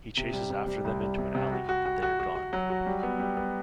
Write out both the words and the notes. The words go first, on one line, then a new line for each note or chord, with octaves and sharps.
He chases after them into an alley, but they are gone.
C3
G3
C3
G3
C2
G3
C3
C3
F#4
F#4
F#4
F#4
F#4
F#4
F#3
F#4
G3
B3
G3
B3